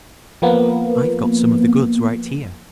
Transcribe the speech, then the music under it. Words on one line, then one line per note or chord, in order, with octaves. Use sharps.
I've got some of the goods right here.
F3 A#3 B3